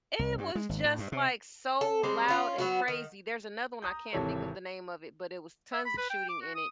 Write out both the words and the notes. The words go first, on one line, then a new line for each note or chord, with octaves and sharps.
It was just, like, so loud and crazy, there's another one, I can't think of the name of it, but it was tons of shooting in it.
C2
G2
G#3
G#1
A2
G2
C3
A4
G3 G#3 C4
C#4 F4
F#3 B3 F#4
D#3
A#5 D#6 G6
G#1 C3 E3 A4 C#5
E5
B5
B4
G5
D6
F#4
D#6